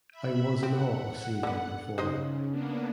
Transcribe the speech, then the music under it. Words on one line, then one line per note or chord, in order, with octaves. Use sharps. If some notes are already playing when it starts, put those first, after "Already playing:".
I was in awe of seeing him perform.
E5 B5
C4 F#5
D3 B3
C#3 D#4 C5 D#5
A#3 B3 D4